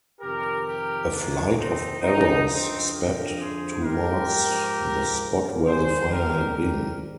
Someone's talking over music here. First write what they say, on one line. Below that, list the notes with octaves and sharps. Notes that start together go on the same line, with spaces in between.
A flight of arrows sped towards the spot where the fire had been.
F2 C3 D#3 G4 A#4
G4 A#4
A#3 D4
C4 D#4
F2 D3 F3 C4 D#4
C4 D#4
G4 A#4
G#4 C5
G#2 F3 G4 A#4
G#2 D#3 G3 G#4 C5
G4 A#4
G4 A#4